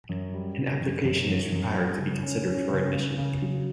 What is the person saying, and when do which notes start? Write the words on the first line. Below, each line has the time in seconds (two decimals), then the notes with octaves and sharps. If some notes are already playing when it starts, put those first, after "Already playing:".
An application is required to be considered for admission.
0.09 F#2
0.34 G3
0.56 G3
0.81 F#2
1.04 F#2
1.29 F#2
1.52 F#2
1.76 G3
1.99 C#3
2.23 C#4
2.47 C#4
2.70 C#3
2.94 C#3
3.18 C#3
3.42 F#3